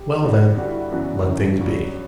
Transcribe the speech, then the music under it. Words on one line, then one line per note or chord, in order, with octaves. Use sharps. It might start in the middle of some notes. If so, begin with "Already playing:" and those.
'Well, then, let things be.'
Already playing: G4
G1 G2 D3
G2 D3 G3 F#4
E4
F#4
F#2 C#3 E3 B3 D4 F#4
G1 F#2 C#3 E3
G2 F#3 C#4